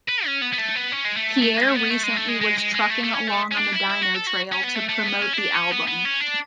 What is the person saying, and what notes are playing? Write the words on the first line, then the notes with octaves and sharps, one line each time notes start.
Pierre recently was "trucking along on The Dino Trail" to promote the album.
B4
C#4
B3
B3
A3
B3
C#4
G#3
A3
A3
G#3
A3
B3
A3
G#3
A3
G#3
G#3
G#3
G#3
A3
A3
C#4
A3
C#4
D4
E4
E4
F#4
A4
F#4
C#4
B3
A3
A3
B3
C#4
E4
D4
C#4
B3
B3
C#4
D4